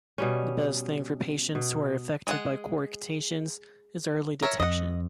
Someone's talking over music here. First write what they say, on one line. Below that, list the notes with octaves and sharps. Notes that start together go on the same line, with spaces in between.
The best thing for patients who are affected by coarctations is early detection.
B2 G3 C#4
B2
G#3 G#4 F#5
A#4 C#5 E5
F2 D#5 F#5